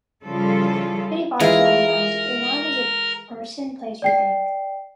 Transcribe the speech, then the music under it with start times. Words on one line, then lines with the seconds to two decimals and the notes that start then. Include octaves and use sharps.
Put a box around the nouns. A noun is a person, place, or thing.
0.25 C#3 F3 G3 E4 F4 A4
1.40 E3 G#3 F4 A#4
4.02 D5 G5 C7